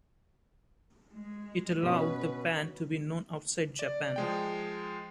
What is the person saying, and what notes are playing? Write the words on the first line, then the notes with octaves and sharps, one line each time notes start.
It allowed the band to be known outside Japan.
G#3
B2 C#4 B4
D5
F3 G#3 G5